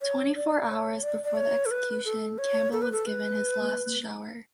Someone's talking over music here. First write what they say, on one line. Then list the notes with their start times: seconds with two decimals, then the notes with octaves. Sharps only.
Twenty-four hours before the execution, Campbell was given his last shower.
0.01 C#5
0.36 D5
0.70 C#5
1.03 D5
1.24 D5
1.37 C#5
1.66 A4
1.71 B4
2.05 A4
2.38 C#5
2.72 A4
2.82 B4
2.92 A4
3.06 B4